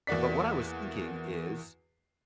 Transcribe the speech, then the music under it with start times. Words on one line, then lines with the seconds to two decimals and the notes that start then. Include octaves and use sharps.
but what I was thinking is,
0.07 E2 A#3 F#4 D5 B6